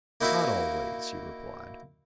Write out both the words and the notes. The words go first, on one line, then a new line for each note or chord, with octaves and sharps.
"Not always," he replied.
A#3 D#4 E4 F#4 E5 F5